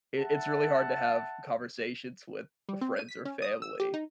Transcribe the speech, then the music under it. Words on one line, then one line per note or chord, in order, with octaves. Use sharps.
it it's really hard to have conversations with friends or family
E5 F#5 A5
G3
C4
D#7
B6
C#4
D#6
E6
G4
D#4